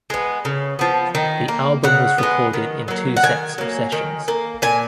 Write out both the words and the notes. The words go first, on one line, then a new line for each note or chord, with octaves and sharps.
The album was recorded in two sets of sessions.
G#3 B3
C#3
F3 B3
D#3
A#3
C#3 F#5
G#3 B3
D#3
F#3 A#3
F#5
D#3 G#5
F#3 A#3
D#3
A#3
A#2 G#5